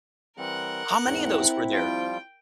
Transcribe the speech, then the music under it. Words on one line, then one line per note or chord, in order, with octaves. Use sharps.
How many of those were there?
E3 G3 C4 A#4 F#5
E2 G#2 C4 E4
F3 G3 F4 G5